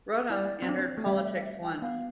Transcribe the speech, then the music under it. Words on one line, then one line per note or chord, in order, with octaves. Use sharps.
Rodham entered politics once.
E5
E4 D5
C4
D4
C4
A3
G3 E5
F5
E5
F5
E5
G5
B3 F5